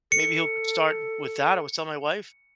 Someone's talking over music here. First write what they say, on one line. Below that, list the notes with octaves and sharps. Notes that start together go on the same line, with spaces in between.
Maybe he'll start with that, I was telling my wife.
A4 C#7